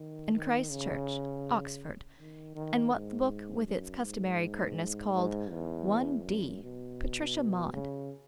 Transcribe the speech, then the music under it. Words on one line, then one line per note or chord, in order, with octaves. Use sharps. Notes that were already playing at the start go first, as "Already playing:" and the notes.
Eton and Christ Church, Oxford, and what the book with its customary curtness called "one d."--Patricia Maud.
Already playing: D#3
D#3
C#3
D#3
D#3
G#2
F#2
G#2
G#2
E2
F#2
B2
C#3